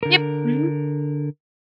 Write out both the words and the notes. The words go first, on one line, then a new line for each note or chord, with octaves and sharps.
Yep, mhm.
D3 A#4